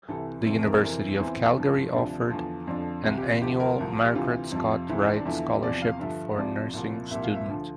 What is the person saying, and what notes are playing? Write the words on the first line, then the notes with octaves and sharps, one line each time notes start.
The University of Calgary offered an annual Margaret Scott Wright Scholarship for nursing student.
C2 C3 E3 A4
F2 C3 E3 A4
A#4
F2 C3 E3 A#4
E2 E3 C4
G2 F3
D2 C3 F3 D4
E2 D3 F3
F2 D3 F3 D4
C2 C3 E3 E4
G4
F4
D2 D3 F3 G4
A#4
C2 C3 F3
G4
D2 C3 E3 F4
F2 C3 F3
C2 C3 E3 E4
D4
C4
D4
E2 D3 F3 E4
E2 C3 F3 D5
F5
G2 D3 F3 E5
C2 C3 F3 D5
C2 A#2 F3
C2 A#2 F3 E5
F5
E5
D2 D3 F3